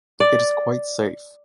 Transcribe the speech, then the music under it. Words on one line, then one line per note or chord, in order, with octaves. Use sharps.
It is quite safe.
D5